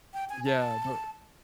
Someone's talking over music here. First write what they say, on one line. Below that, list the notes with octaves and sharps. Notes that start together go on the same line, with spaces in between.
yeah, but
G5
G#5
A5